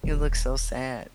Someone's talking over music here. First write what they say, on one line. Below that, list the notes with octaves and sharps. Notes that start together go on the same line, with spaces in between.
"You look so sad.
D#1